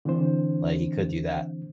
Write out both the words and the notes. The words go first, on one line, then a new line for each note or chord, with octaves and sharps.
like, he could do that.
D3 E3 C4 D4 C5